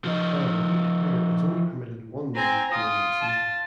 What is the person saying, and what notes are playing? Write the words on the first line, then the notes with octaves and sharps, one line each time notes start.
However each player is only permitted one move during the season.
F3 D#4
C4 G#5 A#5
F4 D#6
A5